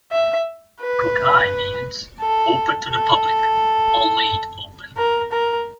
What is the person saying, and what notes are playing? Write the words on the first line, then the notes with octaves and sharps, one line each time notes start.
"Kokai" means "open to the public", or "laid-open".
E5
B4
A4
A4
A#4
A#4